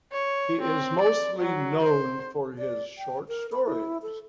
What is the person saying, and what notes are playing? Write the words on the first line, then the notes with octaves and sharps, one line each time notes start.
He is mostly known for his short stories.
C#5
C4
D5
F#3
C5
D5
G5
A#4
B5
E4
A4